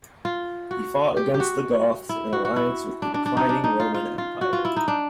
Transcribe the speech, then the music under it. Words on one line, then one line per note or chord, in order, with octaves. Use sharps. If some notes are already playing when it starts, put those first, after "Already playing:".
He fought against the Goths in alliance with the declining Roman Empire.
F4
F#4
G4
G4
F#4
E4
F#4
F#4
E4
D4
D4
D4
D#4
D4
D#4
F4
F4
F4
F#4
F4
E4
D#4
D4